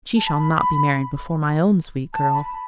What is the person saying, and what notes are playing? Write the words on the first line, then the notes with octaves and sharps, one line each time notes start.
'But she shall not be married before my own sweet girl.
A5
B5
A5
B5